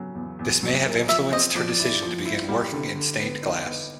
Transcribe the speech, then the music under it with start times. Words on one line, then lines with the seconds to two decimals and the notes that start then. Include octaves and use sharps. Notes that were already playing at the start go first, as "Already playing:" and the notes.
This may have influenced her decision to begin working in stained glass.
Already playing: C#3 F#3
0.15 E2
0.39 E2
0.63 F#3
0.86 A#3
1.09 F3 E5
1.32 C4 D#5
1.55 F3 D5
1.80 E4
2.02 F3
2.25 E4
2.49 G3
2.72 D3
2.95 D3
3.20 B3
3.43 D#4
3.65 B3